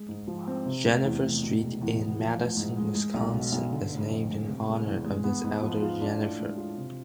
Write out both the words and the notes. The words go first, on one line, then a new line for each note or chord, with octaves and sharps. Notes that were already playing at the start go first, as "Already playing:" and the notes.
Jenifer Street in Madison, Wisconsin, is named in honor of this elder Jenifer.
Already playing: G#3
G#2
F3
C4
C3
F1
E2
F1
B2
E1
E2
B3
F3
A1
G#2
G#3
G#3
B1
B2
B1
D3
F1
F2
G#3
C3
E1
E2
G#3
B3
G#2
F3
F4
D4
A2
G#3
F4
C3